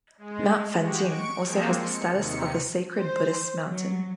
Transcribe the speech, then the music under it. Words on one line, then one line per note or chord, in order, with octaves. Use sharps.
Mount Fanjing also has the status of a sacred Buddhist mountain.
G#3
G#3 F#4 G4
C#6 D7
F3 G#3 A#3 C4
C#7
D#2 C3 D#3 C#7
C5
F#3